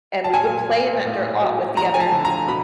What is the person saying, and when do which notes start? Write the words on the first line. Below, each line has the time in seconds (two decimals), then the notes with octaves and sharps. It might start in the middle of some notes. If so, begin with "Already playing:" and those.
and we would play in that dirt lot with the other
0.24 A5
0.33 A#2 G#5
0.70 A#2
1.05 A2
1.41 F#3
1.77 F3 A#5
1.94 G#5
2.00 A5
2.12 D3
2.25 A#5
2.48 B2 B5